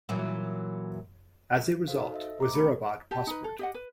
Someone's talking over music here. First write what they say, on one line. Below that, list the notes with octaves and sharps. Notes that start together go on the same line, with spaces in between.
As a result, Wazirabad prospered.
A#2 E3 F#3
D#4 F#4 A4 C5 F5
A4 D#5 E5
C5 A#5 D6
A3 C#4 B5 C#7
G4 A5
D#4 B4
A4
G4 D#5 F#5
B4